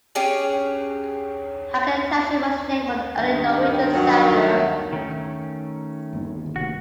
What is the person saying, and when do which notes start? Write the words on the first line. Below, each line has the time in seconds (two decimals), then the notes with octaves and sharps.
Hagen Township was named for an early Norwegian settler.
0.15 C#4 G4 G#4 C#5
3.17 G2 D#3
3.94 F#3
4.93 D#3 A3 C#4
6.13 G1 D#2
6.56 F1 F#4